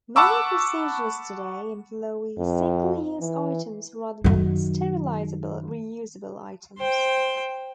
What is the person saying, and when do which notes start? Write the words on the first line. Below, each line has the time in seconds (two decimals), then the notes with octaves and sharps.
Many procedures today employ single-use items rather than sterilizable, reusable items.
0.16 F#5 A5 B5 C#6 D6 E6
2.39 F2
3.20 E3
4.24 F#2 D#3
6.78 C5 G5